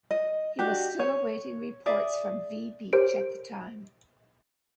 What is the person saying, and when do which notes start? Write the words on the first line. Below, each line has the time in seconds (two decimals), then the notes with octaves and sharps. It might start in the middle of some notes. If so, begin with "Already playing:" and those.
He was still awaiting reports from V Beach at the time.
0.11 D#5
0.59 D4 F#4 G4
0.99 C#5
1.86 G#4 D5 E5
2.93 G4 A#4 C5 C#5 D7